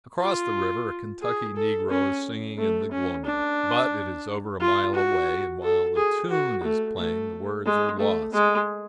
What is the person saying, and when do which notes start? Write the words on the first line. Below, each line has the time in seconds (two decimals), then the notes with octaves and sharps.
Across the river, a Kentucky negro is singing in the gloaming; but it is over a mile away, and, while the tune is plain, the words are lost.
0.21 F4
1.22 G#4
1.56 A4
1.90 C#4
2.57 A3
2.91 C#4
3.25 D4
4.60 F4
4.95 F#4
5.63 A4
5.96 G#4
6.30 F#4
6.64 A3
6.98 A3
7.65 G#3
7.99 A3
8.33 G#3